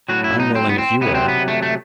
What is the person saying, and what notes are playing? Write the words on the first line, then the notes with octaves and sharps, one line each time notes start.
"I'm willing if you are."
A2 F#3 F#4
E4
D#4
C4
B3
C4
C3 F#3 B3
C4
B3
A3
A3